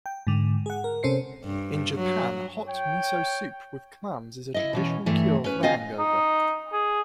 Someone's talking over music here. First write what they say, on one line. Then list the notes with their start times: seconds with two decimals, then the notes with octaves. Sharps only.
In Japan, hot miso soup with clams is a traditional cure for the hangover.
0.06 G5
0.27 G#2 D3
0.66 G#4 F#5
0.84 A#4
1.03 C3 C#4 A4 C5 C7 C#7
1.45 G2
1.95 F#3
2.67 C#5 G5
4.54 E4 D#5
4.73 B2 E3 C#4
5.06 G2 E3 A3
5.44 C#4 B4
5.63 C4 F4 D#5 F5 G#5
5.99 D#4
6.72 G#4